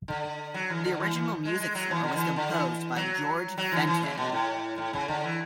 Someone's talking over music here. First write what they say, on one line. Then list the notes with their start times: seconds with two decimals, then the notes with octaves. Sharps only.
The original music score was composed by George Fenton.
0.08 D3
0.54 F#3
0.70 E3
0.85 D3
1.00 E3
1.15 E3
1.45 G#3
1.60 G#3
1.75 F#3
1.91 E3
2.03 D3
2.16 E3
2.36 D3
2.51 E3
2.96 F#3
3.58 F#3
3.72 E3
3.87 E3
4.03 C#3
4.18 B2
4.32 A2
4.78 A2
4.93 C#3
5.08 D3
5.24 E3